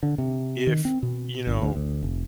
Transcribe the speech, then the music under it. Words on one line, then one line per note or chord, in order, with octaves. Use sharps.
if, you know,
D3
C3
D#3
C4
B2
G1
D2
D2
F1